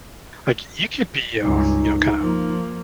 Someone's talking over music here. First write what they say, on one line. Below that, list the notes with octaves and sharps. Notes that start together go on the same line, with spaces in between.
like, you could be, uh, you know, kinda
C#2 G2 D#4
F3 A#3